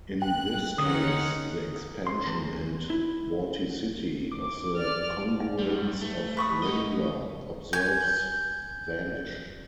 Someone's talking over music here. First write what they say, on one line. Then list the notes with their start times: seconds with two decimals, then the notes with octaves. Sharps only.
In this case, the "expansion" and "vorticity" of the congruence of Rindler observers "vanish".
0.22 G5 F#6
0.78 D3 C#4 D#4 F#5 D#6
2.07 C6
2.27 E2
2.90 E4
4.32 D6
4.76 D5 F6
5.58 F#2 G3
6.02 A3
6.37 B4 C#6 D#6
6.63 D#4 F#4 D#5
7.73 G#5 G6